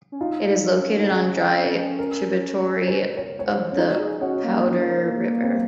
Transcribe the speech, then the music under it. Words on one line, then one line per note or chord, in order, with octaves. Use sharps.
It is located on a dry tributary of the Powder River.
C#4
D#4 F4
D#4
C#4
D#4
C#4 G#4
A#4
C5
C#5
C#5
C5
C#4
D#4 F4
F#4
G#4
C#4 F#4
A#3
C#4
C4